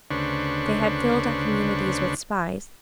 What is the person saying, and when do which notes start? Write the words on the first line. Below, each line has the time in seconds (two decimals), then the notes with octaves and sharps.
They had filled our communities with spies.
0.11 D2 C#3 D4 B4 C5 C#6